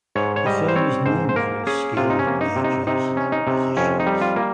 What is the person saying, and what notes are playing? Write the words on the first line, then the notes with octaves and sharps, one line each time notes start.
The firm is known for its skill in mergers and acquisitions.
G#2 C#5
C#5
G3 D#5
C5
C4 C#5
G#2 C5
C5
A#3 A#4
C#4 G#4
C3 F4
D#4
C#4
A#3
D#4
C3
D#4
C3 D#4
C#4
D#4
C3
F2 C#4
D#4
G3
F4
A#3